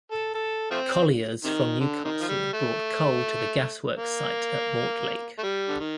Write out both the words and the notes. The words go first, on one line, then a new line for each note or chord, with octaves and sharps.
Colliers from Newcastle brought coal to the gasworks site at Mortlake.
A4
A4
F3 A3 C4
C3 D#3
D3
C3 D#3
F3
G3
A3
A#3
A3
G3
D3
D#3